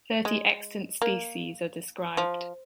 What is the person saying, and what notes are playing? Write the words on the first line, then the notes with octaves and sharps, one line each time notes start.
Thirty extant species are described.
G#3
A#3
F3